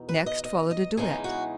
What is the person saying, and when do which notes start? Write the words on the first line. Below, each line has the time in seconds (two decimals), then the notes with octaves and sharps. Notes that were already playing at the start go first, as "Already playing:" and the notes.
Next followed a duet.
Already playing: E2 B2 D#4
0.09 B4
0.26 D#5
0.45 D#5
0.71 D#5
0.97 E2 C#3 E3 G#3 D#4 G#4
1.24 F#4